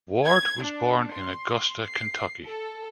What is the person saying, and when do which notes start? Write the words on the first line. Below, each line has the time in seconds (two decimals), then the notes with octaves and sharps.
Ward was born in Augusta, Kentucky.
0.25 G#6
0.62 D4
1.13 C6
1.88 C7
2.45 A4